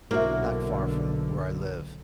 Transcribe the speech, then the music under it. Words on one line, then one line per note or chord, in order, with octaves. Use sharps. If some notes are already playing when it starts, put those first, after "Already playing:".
not far from where I live
B1 D3 A#3 E4 F#4 C5 E5